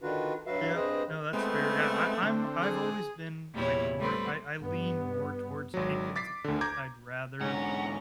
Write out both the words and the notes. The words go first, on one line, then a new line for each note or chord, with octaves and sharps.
Yeah no, that's fair, yeah, I I I'm I've always been, like, more I I lean more towards tank and support; I'd rather,
D3 D#3 D4 F4 F#4 B4
G2 F#3 F#4 B4 E5 F5
G2 C4 G#4 B4 C5 D#5
G#3 A3 B3 C4
D3 C4
G#4
E2 A#2 G3 E4 C#5
G3 A3 C4 B4
G2 B3
G#1 F#3
D6 A6 B6 C7
D2 D3
A#5 D6 G6 G#6
G#2 D3 C#4 F#5 A#5